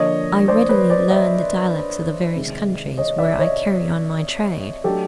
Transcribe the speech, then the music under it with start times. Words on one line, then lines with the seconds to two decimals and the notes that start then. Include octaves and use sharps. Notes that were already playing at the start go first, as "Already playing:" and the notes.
I readily learn the dialects of the various countries where I carry on my trade.
Already playing: D3 F3 A#3 D4 C#5 D#5
0.48 C5 D5
0.69 B4 C#5
0.90 C5 D5
1.11 D5 E5
2.35 C3 D#3 G#3 C4
2.98 C#5 D#5
3.18 D5 E5
3.39 C#5 D#5
4.84 F#3 A3 D4 G4 A4